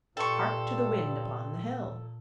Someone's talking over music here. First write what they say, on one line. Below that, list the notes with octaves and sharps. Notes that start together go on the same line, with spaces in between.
Hark to the wind upon the hill!
G2 A#2 A4 G5 C6 C#6